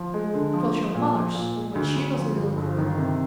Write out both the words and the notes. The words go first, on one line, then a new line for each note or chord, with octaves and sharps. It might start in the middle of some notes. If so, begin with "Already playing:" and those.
"It was your mother's when she was a little girl."
Already playing: F3
G#3
D3
F3
F3
A#2
F3
A#2
G#3
D2
D2
F3
G1
G1
D#3
C3